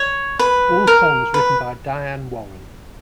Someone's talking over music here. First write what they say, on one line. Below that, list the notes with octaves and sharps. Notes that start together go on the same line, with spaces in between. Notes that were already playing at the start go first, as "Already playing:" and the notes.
All songs written by Diane Warren.
Already playing: C#5
B4
A#4
B4